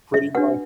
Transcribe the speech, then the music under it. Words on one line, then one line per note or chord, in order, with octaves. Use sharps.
Pretty much
E5
D4 F#4 B4 F#5